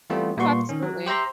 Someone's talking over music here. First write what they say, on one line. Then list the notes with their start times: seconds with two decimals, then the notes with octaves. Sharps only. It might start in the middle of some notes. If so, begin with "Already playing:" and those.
Oh, absolutely.
0.10 E3 G3 A3 B3 C4 F4
0.37 A#2 G3 A#3 B3 C6 C#6
0.69 D#3 C#4
0.83 F#3
1.06 G4 C5 E5 A#5 C6